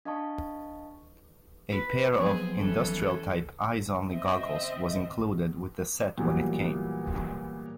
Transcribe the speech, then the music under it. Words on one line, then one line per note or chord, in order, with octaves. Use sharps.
A pair of industrial-type eyes-only goggles was included with the set when it came.
D4 D#5 F5 A5 C#6
B4
F3 F#3 B3 C4 G#4
E3 C#4 A4
C4 D#5 E5
A#2 E3 F#3 G3 A#3 B3